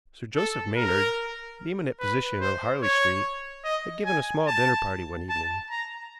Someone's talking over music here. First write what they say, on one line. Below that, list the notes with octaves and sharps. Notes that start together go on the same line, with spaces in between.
Sir Joseph Maynard, the eminent physician of Harley Street, had given a small dinner party one evening.
A4
A#4
B4
C5
C#5
D#5
G#5
A5
A5
A#5